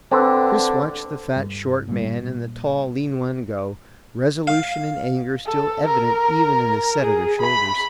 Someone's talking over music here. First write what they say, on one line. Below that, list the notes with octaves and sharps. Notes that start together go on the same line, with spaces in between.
Chris watched the fat short man and the tall lean one go, resolution and anger still evident even in the set of their shoulders.
D3 C4 A4 B4
G2
A#2 G3
F5
A4
A#4
G#4
B5